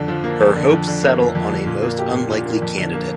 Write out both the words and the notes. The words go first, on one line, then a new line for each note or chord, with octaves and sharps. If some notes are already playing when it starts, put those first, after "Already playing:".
Her hopes settle on a most unlikely candidate.
Already playing: F2 D3
F3
A#3
F2
D3
F2
D3
A#3
F2
F2
D3
A#2
A#3
G4
A#2
A#2
A#3
F2
D3
A#3